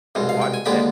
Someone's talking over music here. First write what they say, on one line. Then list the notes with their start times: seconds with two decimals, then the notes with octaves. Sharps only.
I watched that
0.15 C2 B2 G#3
0.29 F5
0.42 G5
0.54 G#5
0.66 D#2 D3 G#3 B3 G5 B5